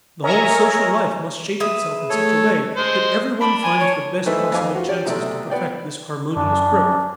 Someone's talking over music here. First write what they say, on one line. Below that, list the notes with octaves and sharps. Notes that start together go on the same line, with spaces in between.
The whole social life must shape itself in such a way that everyone finds the best possible chances to perfect this harmonious growth.
A#4 C#5 D#5 E5 G#5 A#5
G#4 B4 E5
A3 A4 C#5
G#3 C5
D4 B5
G#5
C#5
D#3 E3 A3 A4 B4 C5
F2 C4 B4 F5 G#5 D6
F4 F#4
G4 C#5 D5
B1 C3 A3 E4 A4 D5
B3 D5 G5
F#2 D4